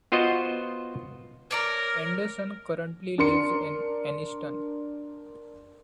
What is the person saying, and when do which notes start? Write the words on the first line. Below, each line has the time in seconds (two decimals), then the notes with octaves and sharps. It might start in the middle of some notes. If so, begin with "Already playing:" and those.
Anderson currently lives in Anniston.
0.12 B3 F4 F#4 C5 D#5
1.51 A#4 C#5 D5 A#5
3.18 D4 A#4 C6 C#7